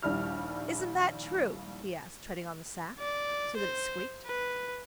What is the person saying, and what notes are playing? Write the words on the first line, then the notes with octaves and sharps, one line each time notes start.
Isn't that true?' he asked, treading on the sack so that it squeaked.
A#1 D#2 G3 E4 F6
D5
C5
B4